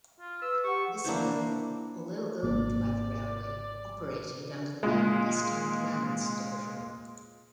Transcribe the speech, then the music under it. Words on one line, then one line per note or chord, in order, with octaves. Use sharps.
This mill, although owned by the railway, operated under the name Eastern Lands Division.
F4
B4 E6
G4 F#5 C#6
A#3 D4 E4 C5
G#1 A#3 D5
A#2 G#3